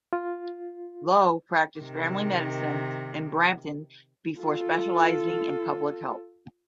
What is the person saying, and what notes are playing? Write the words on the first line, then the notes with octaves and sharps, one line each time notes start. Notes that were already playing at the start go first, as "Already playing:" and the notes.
Loh practiced family medicine in Brampton before specializing in public health.
F4
C3 D#3
F4 A4